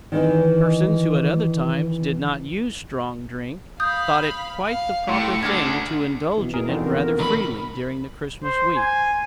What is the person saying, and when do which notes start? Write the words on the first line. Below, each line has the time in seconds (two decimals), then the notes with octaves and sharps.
Persons who at other times did not use strong drink thought it quite the proper thing to indulge in it rather freely during the Christmas week.
0.12 D#3 E3 D#4
3.80 F5 B5 D#6 G6
4.68 F5
5.09 A2 G4 C6 C#6
5.43 D2 D4 G#4 F6 G#6
6.38 B2 E3
6.54 E2 B2 E3 G#4 A#4
6.68 F2 D3 D#3
6.83 A#4
7.19 C#2 B5
8.44 C5
8.77 G#5